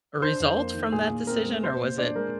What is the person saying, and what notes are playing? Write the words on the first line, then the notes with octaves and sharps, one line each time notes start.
result from that decision or was it
D4 C5
F2
A#3
D#3
A#2 G#4
A#2
C4 A#4
G#3
A#2 C5
A#2
D4 D5
G#3 A#4